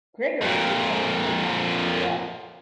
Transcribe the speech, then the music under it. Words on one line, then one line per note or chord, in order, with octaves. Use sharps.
Gregory did some other comics as well.
F2 A#2